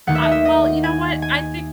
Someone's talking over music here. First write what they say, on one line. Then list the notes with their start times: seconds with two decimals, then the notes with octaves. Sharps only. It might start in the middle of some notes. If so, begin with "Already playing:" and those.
Ah, well, you know what? I think
0.07 D#2 D#3 A3 F#5
0.15 E5
0.23 D#5
0.31 E5
0.45 D#5
0.84 G#5
1.22 G#5